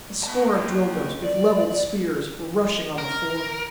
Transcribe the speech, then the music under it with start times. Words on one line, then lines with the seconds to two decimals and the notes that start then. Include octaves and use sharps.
A score of Drilgoes, with leveled spears, were rushing on the four.
0.23 B3 A5
0.51 A#3 D#5
1.24 D5
2.98 A#4